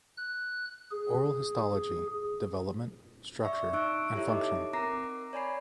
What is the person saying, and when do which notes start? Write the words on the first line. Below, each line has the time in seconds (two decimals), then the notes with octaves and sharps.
Oral Histology: development, structure, and function.
0.17 F#6
0.91 G#4
3.45 D5 E5 C#6
3.73 D#4 C#6 E6 F#6 D7
4.14 E4 G4 A4 C#5 E5
4.27 D#4 D#5 D6
4.73 C4 A#4 A#5 D6 A#6 C7
5.33 C#5 D5 G#5 B5 C7